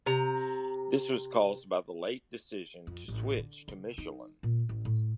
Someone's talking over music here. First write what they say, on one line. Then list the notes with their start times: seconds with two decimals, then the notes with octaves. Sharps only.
This was caused by the late decision to switch to Michelin.
0.06 C3 A#5
2.87 F2
3.08 A1
3.38 D3
3.68 C#3
3.98 D#4
4.43 A#2
4.69 A1
4.85 A2